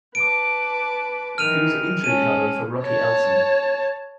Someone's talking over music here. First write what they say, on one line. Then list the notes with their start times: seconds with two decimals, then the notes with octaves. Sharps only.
He was injury cover for Rocky Elsom.
0.15 B4 A5 D6 D7
1.38 D#3 E3 F6 D#7 F7
2.04 G#3 C#4 A4 D#7
2.85 C#5 A5